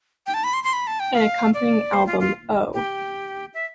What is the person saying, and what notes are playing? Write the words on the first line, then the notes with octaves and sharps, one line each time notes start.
An accompanying album, Oh!
G5
A5
B5
C6
C6
B5
A5
G5
F5
D5
C5
F4
F4
G4
E5